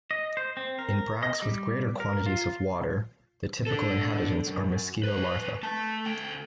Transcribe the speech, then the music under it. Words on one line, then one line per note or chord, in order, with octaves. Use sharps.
In bracts with greater quantities of water the typical inhabitants are mosquito larva.
D#5
C5
C4
A#4
D#5
G3
A#4
F4
D4 A4
F#2
C2 B4
A3 A5
D2 G5